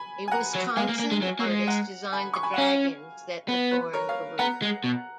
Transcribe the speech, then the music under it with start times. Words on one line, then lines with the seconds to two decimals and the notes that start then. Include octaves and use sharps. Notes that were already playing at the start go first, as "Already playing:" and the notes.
A Wisconsin artist designed the dragons that adorn the roof.
Already playing: G#5 B5
0.28 G#5
0.31 F#5 A#5
0.55 F#3
0.77 G#3 F5 G#5
0.89 A#3
0.99 A#3
1.11 G#3
1.22 F#3
1.39 A#3
1.45 G#3
1.67 F#5 A#5
2.12 G#5 B5
2.34 C#6
2.43 G#5 B5
2.54 F#5
2.58 C#4 F5 G#5
3.48 B3 B4
3.71 B4
3.93 A#4 C#5
4.09 C#5 F5
4.39 B3 F#5 A#5
4.62 G#3
4.84 B2